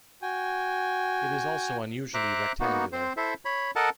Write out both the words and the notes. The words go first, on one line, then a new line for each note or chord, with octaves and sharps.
It is also unusually rectangular.
F#4 G5 G#5
C5 E5 A#5 D6 F#6
A#3 B3 D#4 F#4
C4 C5
E4 A4 C5 E5
C#5 B5
A4 A#4 D#5 F#5 A5